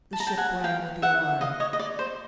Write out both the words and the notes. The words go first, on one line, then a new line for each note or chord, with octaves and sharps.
The ship rang with the alarm.
A5
A#5
G5 A5
F#5 G#5
F5 G5
E5 F#5
D#5 F5
C#5 D#5
D#5
D5
C5